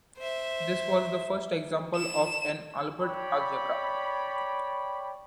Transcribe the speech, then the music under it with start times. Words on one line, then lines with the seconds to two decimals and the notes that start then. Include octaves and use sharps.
This was the first example of an Albert algebra.
0.18 C5 E5
1.95 E7
3.02 C#5 D5 G5 B5